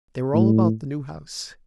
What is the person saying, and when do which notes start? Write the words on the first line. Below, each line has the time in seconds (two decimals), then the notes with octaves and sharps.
They were all about the new house.
0.34 A2